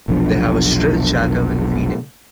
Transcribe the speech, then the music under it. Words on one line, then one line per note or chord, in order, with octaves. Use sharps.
They have a shrill chatter when feeding.
F1 B1 F3 D4